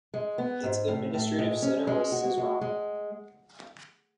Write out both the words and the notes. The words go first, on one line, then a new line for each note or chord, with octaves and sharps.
Its administrative centre was Syzran.
G#3
B3
G#2
A2
A2
G#3
C#4
G#3
F#4
G#3
G#3